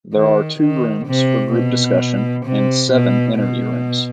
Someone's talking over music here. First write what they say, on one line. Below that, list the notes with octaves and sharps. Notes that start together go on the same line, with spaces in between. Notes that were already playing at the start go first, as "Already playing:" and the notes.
There are two rooms for group discussion, and seven interview rooms.
D#3
D#3
C3
B2
C3
B2
B2